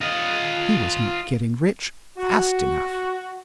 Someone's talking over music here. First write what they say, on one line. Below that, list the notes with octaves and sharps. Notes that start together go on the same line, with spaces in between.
He was not getting rich fast enough.
F4 D#5
F#4